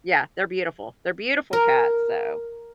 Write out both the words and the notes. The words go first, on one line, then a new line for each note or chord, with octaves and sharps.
yeah, they're beautiful. They're beautiful cats, so
A#4